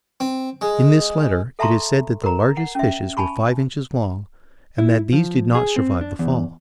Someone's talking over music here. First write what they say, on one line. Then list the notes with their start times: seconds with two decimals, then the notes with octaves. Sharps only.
In this letter it is said that the largest fishes were five inches long, and that these did not survive the fall.
0.20 C4
0.61 G#3
1.59 A4 E5 A5 A#5 C6 C#6
2.24 A#4 A#5
2.57 F#5
2.75 C#4 E5
3.17 G#5 A5 B5 C#6
4.78 E4
5.13 F3
5.55 G#4
5.76 C4
6.01 D4
6.19 E2